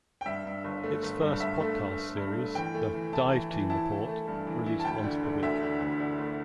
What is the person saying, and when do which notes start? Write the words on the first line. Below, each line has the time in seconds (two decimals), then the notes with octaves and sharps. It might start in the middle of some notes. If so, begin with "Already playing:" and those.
Its first podcast series, the "Dive Team Report", released once per week.
0.21 G5
0.26 G2 E5
0.46 G2
0.64 G1
0.84 A3
1.03 G1
1.21 G2
1.40 G2 E5
1.60 A3
1.80 A3
1.99 A3
2.17 G2
2.37 A3
2.55 E3 G5
2.74 A3
2.94 E3
3.13 E4 A5
3.32 E3
3.50 E3
3.70 E4 A5
3.90 E3
4.08 A3
4.27 G2
4.47 E3
4.66 E4
4.80 A5
4.85 D2 G5
5.04 D3
5.23 D3
5.43 D2 E5
5.62 D3
5.80 D2
6.00 D3
6.19 A3